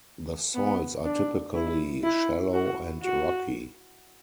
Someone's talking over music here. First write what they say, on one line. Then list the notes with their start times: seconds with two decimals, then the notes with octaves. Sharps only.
The soils are typically shallow and rocky.
0.55 B3
1.05 D4
1.54 E4
2.03 E4
2.53 F#4
3.03 F#4